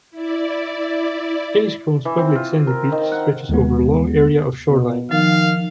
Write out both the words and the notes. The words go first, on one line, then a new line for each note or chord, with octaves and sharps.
Enniscrone's public sandy beach stretches over a long area of shoreline.
E4 D5
E3
C4
F4
A#4
D#3
F#5
D#2 G#3 B3
B2
D#3 F3 F5